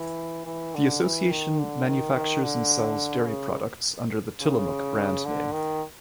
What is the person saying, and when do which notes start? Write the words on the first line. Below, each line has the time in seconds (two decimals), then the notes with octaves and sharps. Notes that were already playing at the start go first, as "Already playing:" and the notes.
The association manufactures and sells dairy products under the "Tillamook" brand name.
Already playing: E3
0.46 E3
0.75 D3
1.03 E3
1.30 D#3
1.59 D3
1.87 D#3
2.15 D#3
2.43 D3
3.27 C#3
4.40 C#3
5.25 D3
5.52 D#3